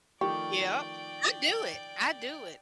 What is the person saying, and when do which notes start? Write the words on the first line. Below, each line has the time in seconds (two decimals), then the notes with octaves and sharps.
yep. I do it. I do it.
0.21 D#3 F3 A3 G4 D5 G5 C#6